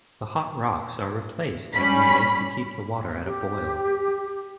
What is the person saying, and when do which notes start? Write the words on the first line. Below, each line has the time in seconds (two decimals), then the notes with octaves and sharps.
The hot rocks are replaced as needed to keep the water at a boil.
1.74 G3 C#4 B5 B6
3.25 G4